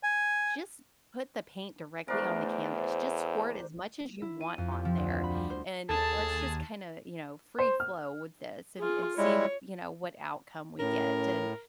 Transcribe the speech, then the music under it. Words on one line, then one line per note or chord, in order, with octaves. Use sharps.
just put the paint directly on the canvas. Just squirt as much as you want on there, and let's just kinda," you know, "free flow with this and and see, you know, what outcome we get." And,
G#5
E2 A3 D4 A#4 C5
E4
D#7
F2
G4
F3
D2
C4
B5
G3
C5
D#2 G#4 A4 A5
C5
F6
F4 G#4
G3 G#3 E4 C#5
A2 C#4 A#4